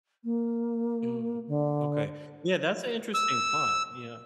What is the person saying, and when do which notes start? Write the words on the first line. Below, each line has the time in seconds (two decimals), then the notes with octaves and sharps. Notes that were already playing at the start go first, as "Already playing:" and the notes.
Mm, okay, yeah, that's an interesting plot, yeah.
0.24 A#3
1.47 D3
3.14 E6